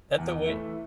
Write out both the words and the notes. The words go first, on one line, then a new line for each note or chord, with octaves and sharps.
that's the way
E2
E3 A3 E4